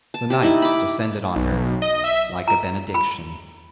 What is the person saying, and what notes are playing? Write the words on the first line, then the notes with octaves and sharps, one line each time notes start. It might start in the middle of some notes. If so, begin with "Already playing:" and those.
The nights descended on her like a benediction.
A5
G4 A5
D#4 E4
B5 D6
B1
D#5
E5
A#5
B5